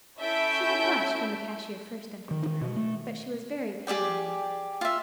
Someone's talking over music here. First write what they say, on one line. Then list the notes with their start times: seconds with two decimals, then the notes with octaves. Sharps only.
She had blushed when the cashier first entered the room; but she was very pale now.
0.20 C#4 E4 A4 E5 G6 D7
2.31 D#3
2.46 D#3
2.61 B2
2.76 A3
3.87 G4 G#4 D5 G5
4.81 F4 E5